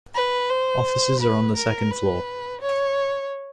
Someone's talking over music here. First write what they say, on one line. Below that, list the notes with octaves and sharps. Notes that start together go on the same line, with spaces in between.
Offices are on the second floor.
B4
C5
B4
A#4
B4
C#5